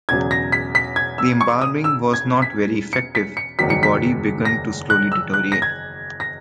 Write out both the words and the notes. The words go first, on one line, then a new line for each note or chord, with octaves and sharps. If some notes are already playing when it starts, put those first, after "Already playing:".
The embalming was not very effective; the body begun to slowly deteriorate.
E1 E2 C#3 F#3 G#6
A#6
B6
B6
G#6
E6
C#6
D#6
E6
G#6
B6
C#7
B6
C#7
F#1 E2 D#3 F#3 B6
C#7
B6
A#6
F#6
E6
F#6
A#6
G#6
A#6